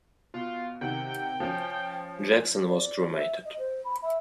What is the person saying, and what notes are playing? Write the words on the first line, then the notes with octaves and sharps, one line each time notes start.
Jackson was cremated.
B2 F4
C3 D#3 F#5 G5
F3 C#4
D5
E5
D#5
C5
B5
E5